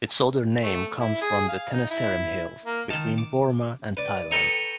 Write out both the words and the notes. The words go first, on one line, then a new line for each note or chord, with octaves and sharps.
Its other name comes from the Tenasserim Hills, between Burma and Thailand.
A3
E4
G#4
F5
D#4
E4
A#3
D#3 A5
D6
B4 D5
A4 B4 G5 A#5 C#6 D#6